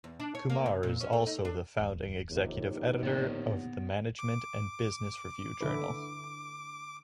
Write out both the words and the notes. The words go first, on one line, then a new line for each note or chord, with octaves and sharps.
Kumar is also the Founding Executive Editor of the Management and Business Review journal.
E2
D4
C#5
A#3
C3
A#2
C#4
A3
D#4
D4
D1 E2
A#1 D#2 C3
A2 D3 B3 C#5 D5
D6
D3 E4 B4